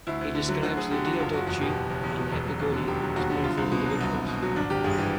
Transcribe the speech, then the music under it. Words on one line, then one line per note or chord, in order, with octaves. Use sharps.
He describes the Diadochi and Epigoni as powerful individuals.
D2 E4
D2
D3
F#3
D2 F#4
D2 G#4
D3 G4
F#3 F#4
F#1 F4
F#1 F#4
E2 F#4
B2 G4
F#1
F#1
E2
B2
E1
F#3
D#2
D3
E1 G4
F#3
D#2 F#4
D3
C2 F4
C2
B2
F#3
C2
C2
B2
F#3
G#1 D4
G#1 G4
G2 G#4
E3 G4